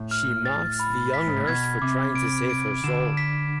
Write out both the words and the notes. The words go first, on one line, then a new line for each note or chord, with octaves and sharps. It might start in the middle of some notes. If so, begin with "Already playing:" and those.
She mocks the young nurse for trying to save her soul.
Already playing: A2
F6
A6
B5
B6
G#2
A2
B2 G#6
C3 D6
D7
D7
D3 E7
B6